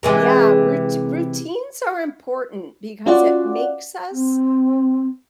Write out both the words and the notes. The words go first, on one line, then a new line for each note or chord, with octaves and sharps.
Yeah, rout routines are important because it makes us,
C3 E3 G#3
C#4 F4 F#4 D5 F#5
C4